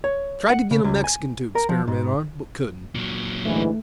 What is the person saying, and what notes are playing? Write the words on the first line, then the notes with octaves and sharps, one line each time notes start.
I tried to get a Mexican to experiment on, but couldn't.
C#5
F#5
C#3
C#2
G#5
A#4
F3
G#2
A#2 F#3
G#2 D3 E3 A3